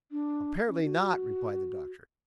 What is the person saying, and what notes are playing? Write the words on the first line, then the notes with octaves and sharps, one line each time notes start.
"Apparently not," replied the doctor.
D4
C#4
F#4